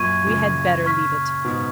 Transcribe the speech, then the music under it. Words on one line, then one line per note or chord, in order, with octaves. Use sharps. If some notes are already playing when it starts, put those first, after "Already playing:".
We had better leave it.
Already playing: F#2 A#2 C#6 G#6 D#7
A#2 C#3
C#6 F6 B6
G#2 B2